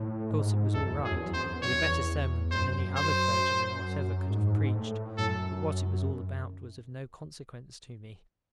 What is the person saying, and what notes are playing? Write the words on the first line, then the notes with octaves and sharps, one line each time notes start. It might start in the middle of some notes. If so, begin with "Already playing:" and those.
Of course it was all right, and a better sermon than any other clergyman whatever could have preached, but what it was all about was of no consequence to me.
Already playing: A2
G#2
E2 A4
F#2
E2
F#2 G#4
E2
F#2
E2 C5
F#2
E2
F#2 C#5
E2
F#2 C5
C5
G#2
A2
F#2 A4